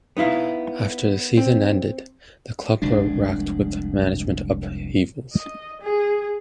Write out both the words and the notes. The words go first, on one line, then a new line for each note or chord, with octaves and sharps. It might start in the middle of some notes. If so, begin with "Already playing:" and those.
After the season ended, the club were wracked with management upheavals.
B3 D#4 E4 F5
C4
F1 C2 G#3 D4
D#5
G#4